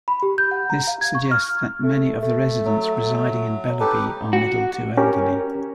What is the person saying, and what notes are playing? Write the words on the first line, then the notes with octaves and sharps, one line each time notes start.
This suggests that many of the residents residing in Bellerby are middle to elderly.
B5
G4
G6
F#5
A#5
F5
G#6
C#6
F6
A3
A3
F#3
D#4 G4 A4 B4
F#4
C#4 G4 A#4